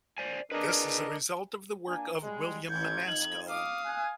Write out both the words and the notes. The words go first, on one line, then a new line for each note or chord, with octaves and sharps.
This is a result of the work of William Menasco.
C5 D5 G#5
D4 G#4 A#4 B4 D#5
A#3 D4 G#5
G3 G#3
A1 G6 G#6
F2 D#4 F#7
F5 D6 D#6
G#5 F#6